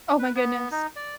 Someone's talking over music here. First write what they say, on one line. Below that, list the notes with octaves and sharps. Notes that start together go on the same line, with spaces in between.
Oh my goodness.
B4
B3
D#4
D5